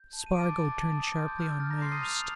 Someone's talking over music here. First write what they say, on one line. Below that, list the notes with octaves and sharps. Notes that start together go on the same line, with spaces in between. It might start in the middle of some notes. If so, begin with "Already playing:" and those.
Spargo turned sharply on Myerst.
Already playing: G6
A5
D#7
A5 D6 D7
A6
A5 A6
A6
A5
D#6
C6 G6
G6
F6 A6
F6 A6
A#5 A#6
C6 C7
D#6 D#7
F6 F7